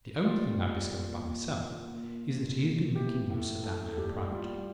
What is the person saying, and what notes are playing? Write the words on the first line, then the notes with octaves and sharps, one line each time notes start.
The only thing I've discovered by myself is that he has been making use of that man privately.
G3 F4
G3
A#2
A#2
A#2
A#2
A#2
A#2
E3 G4
A2
A2 A4
A4
G3 G4
G3 F4